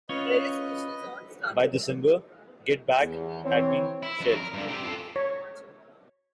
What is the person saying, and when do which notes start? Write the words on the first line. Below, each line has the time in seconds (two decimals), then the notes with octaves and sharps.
By December, "Get Back" had been shelved.
0.09 C#4 F4 B4 C#5 D#5
3.00 E2
3.44 E3 C4 C#5
4.03 E4
4.21 F2 F#3
4.36 A#4
4.54 G2 D3
4.68 C4 G4
4.83 F4 A4
5.16 C#5